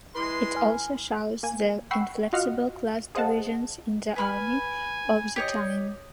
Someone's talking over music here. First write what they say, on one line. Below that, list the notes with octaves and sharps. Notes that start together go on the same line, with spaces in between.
It also shows the inflexible class divisions in the army of the time.
G#3 E4 B4 C6
G#5 F6
A#3 G#5
F#5 G5 B5 C#6 E6 C7
F4 F#4 D#5 F5 F#5 F6
G#4 C5 D#5 F5 F#5 A5
B4 G#5 B5 F6
G4 C#5 D#5